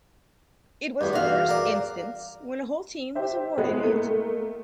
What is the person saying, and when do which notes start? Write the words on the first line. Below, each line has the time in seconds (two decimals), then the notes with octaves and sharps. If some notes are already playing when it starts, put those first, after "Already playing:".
It was the first instance when a whole team was awarded it.
1.01 E2 G2
1.13 F#4 F5
1.49 A#4 D5
3.15 G4 C5 E5
3.57 A2 G#3 B3
3.83 A3 A#3